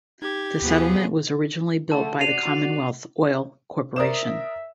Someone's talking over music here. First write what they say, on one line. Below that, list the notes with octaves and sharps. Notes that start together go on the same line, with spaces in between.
The settlement was originally built by the Commonwealth Oil Corporation.
D#4 G4 G#6
D#2 B2 F3 B3 G#4
D3 A3 A5
F#4 D5 C7 D#7 F7
A#4 C5 D5 E5 D#6 E7